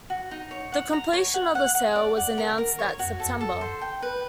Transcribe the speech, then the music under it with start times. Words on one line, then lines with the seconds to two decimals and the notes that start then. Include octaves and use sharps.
The completion of the sale was announced that September.
0.10 F#4
0.31 D#4
0.51 C#5
0.72 F#5
0.93 A#5
1.13 C#5
1.34 F#5
1.55 F#5
1.75 F#5
1.96 D5
2.17 F#5
2.38 A#4
2.58 A#4
2.79 C#5
2.99 F#4
3.20 A4
3.41 A4
3.61 C5
3.81 G5
4.02 B4